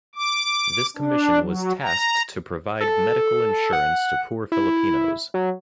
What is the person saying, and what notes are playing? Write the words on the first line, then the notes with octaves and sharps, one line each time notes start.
This commission was tasked to provide medical insurance to poor Filipinos.
D6
D4
F#3
A#5
A4
F#5
E4
F#3